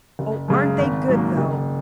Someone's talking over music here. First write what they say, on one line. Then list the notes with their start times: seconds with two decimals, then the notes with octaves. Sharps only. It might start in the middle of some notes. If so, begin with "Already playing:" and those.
"Oh, aren't they good, though!"
0.19 F#1
0.48 F#2 C#3 G#3
0.79 G#1
1.08 G#2 F#3 A#3
1.37 F#1